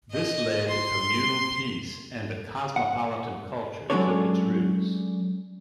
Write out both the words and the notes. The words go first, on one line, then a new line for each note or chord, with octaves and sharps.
This led to communal peace and a cosmopolitan culture took its roots.
D#5
C6
F#5
F#3 G#3 C#4 D4 A4 C#5